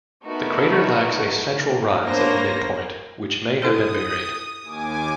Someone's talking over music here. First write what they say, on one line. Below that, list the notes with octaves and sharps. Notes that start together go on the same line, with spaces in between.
The crater lacks a central rise at the midpoint, which may have been buried.
A3 B3 D#4 F#4 A#4
A#3
A#3 B3 D4 C5 C#5 A#6
E4 A4 C5 D#6
D#2 G#5 D6